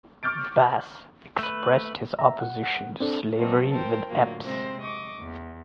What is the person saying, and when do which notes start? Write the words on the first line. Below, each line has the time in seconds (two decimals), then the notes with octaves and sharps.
Bass expressed his opposition to slavery with Epps.
0.23 C#6 D6 F6 G6 A6 D7
1.39 A3 B4
2.19 E5 A#5
2.40 F#5
2.63 F#5
3.00 C4 D4 A4
3.38 F#3 A3 B3 C4 D#5
3.71 A4 A#4 C5 G5
4.09 A2 D3 F#3 A#3 F4
4.42 C3 G#3 C4 C5 A#6
4.80 D#5 C#6 D6
5.19 E2